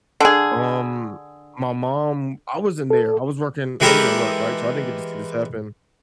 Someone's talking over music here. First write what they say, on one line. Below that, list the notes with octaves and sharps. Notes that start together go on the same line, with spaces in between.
um, my mom I wasn't there, I was working I was at work, right, so I didn't get to see this happen.
D3 G#4
A4
E3 G#3 E4 G4 A4 A#4